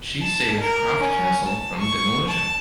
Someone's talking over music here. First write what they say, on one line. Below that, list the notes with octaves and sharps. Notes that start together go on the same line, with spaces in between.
She saved Croft Castle from demolition.
A5
A#4
C#4
A5
C#6
A5